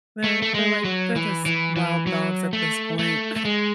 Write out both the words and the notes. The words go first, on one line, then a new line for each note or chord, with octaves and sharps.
They're they're, like they're just wild dogs at this point. I
A3
A3
G#3
F#3
E3
E3
E3
F#3
A3
A3
A3
G#3